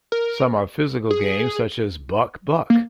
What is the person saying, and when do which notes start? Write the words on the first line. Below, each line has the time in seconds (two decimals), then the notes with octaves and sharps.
Some are physical games such as Buck buck.
0.12 A#4
1.11 G#4
2.70 A#3